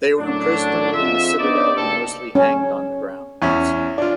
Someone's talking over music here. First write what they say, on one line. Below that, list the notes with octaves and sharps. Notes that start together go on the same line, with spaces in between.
They were imprisoned in the citadel and mostly hanged on the grounds.
F#2 A2 D3 F#3 D4
F2 G#2 F4 E5
B3 D4 D#4 C5 D5
F#1 G2 G4 A4
C#4
E2 C#4 E4
D4 F4